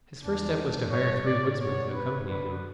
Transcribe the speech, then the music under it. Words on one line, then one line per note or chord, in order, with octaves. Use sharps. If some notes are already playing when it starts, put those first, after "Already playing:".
His first step was to hire three woodsmen to accompany him.
E2 D4
G2 C#5
A2 D5
B2 C#5
B4
D3 B4